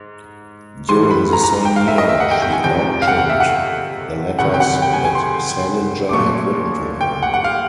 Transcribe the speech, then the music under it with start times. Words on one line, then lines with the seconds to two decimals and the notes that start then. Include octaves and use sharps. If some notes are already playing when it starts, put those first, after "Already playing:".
During the same year, she auctioned the letters that Salinger had written to her.
Already playing: G#2
0.89 G#2 E3 G3 C6
1.10 B5
1.33 A#5
1.44 A#5
1.65 G5
1.76 F5
1.88 E5
1.98 D#5
2.09 E5
2.20 F#5
2.31 G5
2.42 G5
2.53 G#5
2.64 E2 C3 F3 G5
3.02 F5
3.08 F#5
3.18 F#5
3.29 E5
3.40 F#5
4.39 C#2 C3 D#3 F#3 F#5
4.54 G5
4.60 F#5
4.82 G5
4.93 G#5
5.05 G#5
5.15 C6
6.09 D6
6.13 A#2 F#3 A3 C#6
7.01 G5
7.23 F#5
7.34 F#5
7.44 F5